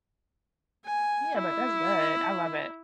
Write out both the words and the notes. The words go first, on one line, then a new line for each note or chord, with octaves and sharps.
Yeah, but that's good, I love it.
G#5
E4